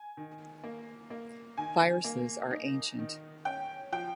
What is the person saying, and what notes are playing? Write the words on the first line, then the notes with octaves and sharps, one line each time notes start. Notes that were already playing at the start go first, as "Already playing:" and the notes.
Viruses are ancient.
Already playing: G#5
D#3
A#3
A#3
D#3 G#5
A#3
D#4
D#3
C#4 G5
F3 G5